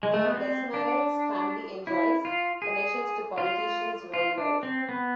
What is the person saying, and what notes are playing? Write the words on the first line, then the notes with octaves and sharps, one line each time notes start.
The Desmarais family enjoys connections to politicians worldwide.
G#3
A3
B3
C4
D4
E4
F4
G#4
F4
F4
D4
C4
B3